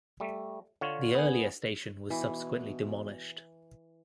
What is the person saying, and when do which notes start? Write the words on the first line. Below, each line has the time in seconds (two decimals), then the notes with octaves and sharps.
The earlier station was subsequently demolished.
0.20 G3 A3
0.81 D3 F4 C#5
1.15 B3 G#4
2.10 B2 E3